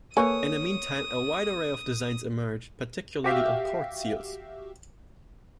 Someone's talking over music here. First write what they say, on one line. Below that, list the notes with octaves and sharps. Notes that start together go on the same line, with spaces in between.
In the meantime, a wide array of designs emerged, particularly on court seals.
A#3 A4 B4 C#5 G#5 C#6 D#6
F#4 G4 E5 F5